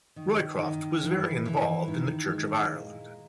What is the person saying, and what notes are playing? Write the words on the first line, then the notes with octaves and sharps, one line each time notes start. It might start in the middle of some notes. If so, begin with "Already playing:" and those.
Roycroft was very involved in the Church of Ireland.
D#3
D#3
E3
E3
D#3
G#3
A#2